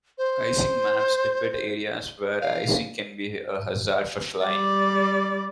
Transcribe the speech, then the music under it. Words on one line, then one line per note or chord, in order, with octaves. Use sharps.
Icing maps depict areas where icing can be a hazard for flying.
C5
F5
G3 D5